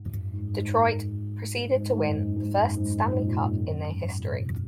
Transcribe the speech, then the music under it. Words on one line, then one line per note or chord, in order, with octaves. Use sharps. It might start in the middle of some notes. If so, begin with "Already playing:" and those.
Detroit proceeded to win the first Stanley Cup in their history.
Already playing: G#2
F#2
G#2
G#2
G#2
G#2
F#2
G#2
F#2
G#2
F#2
A#2
G#2
A#2
F#2
F#2
G#2
A#2
C3